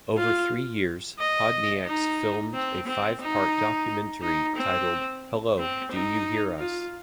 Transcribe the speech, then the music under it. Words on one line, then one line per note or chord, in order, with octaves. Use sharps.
Over three years, Podnieks filmed a five-part documentary titled "Hello, do you hear us?".
F4
D#5
D#4
C4
C4
D#4
D#4
C4
C4
D#4
F4